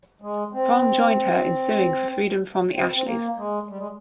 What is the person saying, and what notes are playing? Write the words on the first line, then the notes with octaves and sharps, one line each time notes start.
Brom joined her in suing for freedom from the Ashleys.
G#3
C4
C4
C4
A#3
G#3
G3
G#3